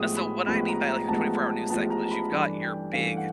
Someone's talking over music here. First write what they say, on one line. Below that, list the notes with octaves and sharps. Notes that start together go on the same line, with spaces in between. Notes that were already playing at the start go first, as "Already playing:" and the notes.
s so, what I mean by like a twenty-four-hour news cycle is you've got your big
Already playing: A1 A2 F3 G#3 B3 D#6
B5
A1 A2 F3 G#3 B3 B5
A#5
A#5
A1 A2 F3 G#3 B3 A5
A1 A2 F3 G#3 B3 A5
A#5
B5
G2 E3 A3 D4 B5
G5
G2 E3 A3 D4 F5
F#5